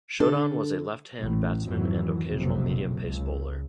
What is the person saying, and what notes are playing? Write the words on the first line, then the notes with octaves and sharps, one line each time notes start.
Shodhan was a left hand batsman and occasional medium pace bowler.
D3 D4 A4
A1
G#1 F2 E3 F#3
F#1 B1 F2 C3 F#3
C#2